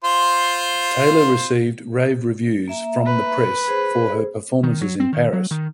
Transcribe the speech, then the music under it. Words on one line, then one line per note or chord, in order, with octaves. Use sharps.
Taylor received rave reviews from the press for her performances in Paris.
F4 C5
A#3 E5 A#5
B4
G#4 C5
D#3
F#3
C4
D#3
F#3
D#3